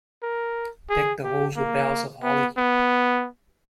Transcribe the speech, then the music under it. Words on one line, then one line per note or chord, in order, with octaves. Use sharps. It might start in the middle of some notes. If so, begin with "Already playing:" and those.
Deck the halls with boughs of holly.
A#4
G#4
G4
A#3
B3
B3